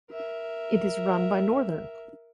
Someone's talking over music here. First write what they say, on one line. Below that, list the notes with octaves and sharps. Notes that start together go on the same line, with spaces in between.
It is run by Northern.
A#4 E5